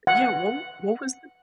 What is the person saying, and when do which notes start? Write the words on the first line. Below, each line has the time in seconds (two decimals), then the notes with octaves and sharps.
Yeah. What what was
0.07 F#5